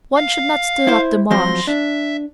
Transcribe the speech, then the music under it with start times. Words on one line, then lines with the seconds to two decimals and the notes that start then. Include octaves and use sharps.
One should not stir up the marsh.
0.16 F5
0.87 E4 C5
1.31 F3 F#3 C4 C6 A#6
1.67 D4 E5